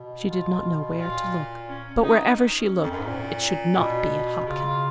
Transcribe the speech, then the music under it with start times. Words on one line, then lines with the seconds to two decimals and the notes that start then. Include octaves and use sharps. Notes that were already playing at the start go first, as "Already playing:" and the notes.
She did not know where to look, but wherever she looked, it should not be at Hopkins.
Already playing: B2
0.27 F4
0.98 A#2 F4
1.67 C#4
2.02 D#4
2.38 C#4
2.83 F2
2.91 F#2
2.99 G#2
3.07 A#2
3.77 B2
4.47 C#3 F4